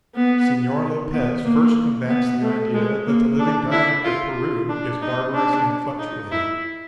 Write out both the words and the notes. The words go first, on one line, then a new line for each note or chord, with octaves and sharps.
Senor Lopez first combats the idea that the living dialect of Peru is barbarous and fluctuating.
B3
B3
A#3
B3
A3
G#3
A#3
D4
E4
F4
D4
D#4
D4
D#4
E4